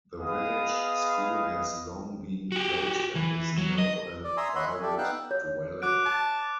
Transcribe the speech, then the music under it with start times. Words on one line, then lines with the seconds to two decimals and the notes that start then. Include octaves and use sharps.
The village school has long been closed and is now a private dwelling.
0.19 B3 G#4 B4 D#5 F5 D#6
2.52 F#4 G4
3.15 E3
3.58 F#3
3.78 D#5
4.24 D5
4.37 E5 G#5 A#5 C6 D#6 E6
4.55 C#5 D#5 E5 F#5 B5 C6
4.69 G#5
4.82 G4 A4 D5 E5
4.98 B3 D#4 F5 G5 E6 F#6
5.31 C#5
5.82 F#4 D6 F#6 D7
6.05 A5